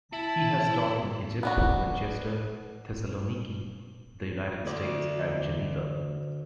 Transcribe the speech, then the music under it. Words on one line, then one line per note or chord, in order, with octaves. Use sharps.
He has taught in Egypt, Manchester, Thessaloniki, the United States, and Geneva.
E4 A5
B3 D4 F#4
D2 D5